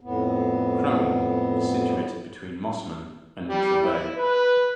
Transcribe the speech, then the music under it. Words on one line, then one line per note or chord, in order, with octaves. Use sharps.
Cremorne is situated between Mosman and Neutral Bay.
F2 A2 B3
G3
E4
B4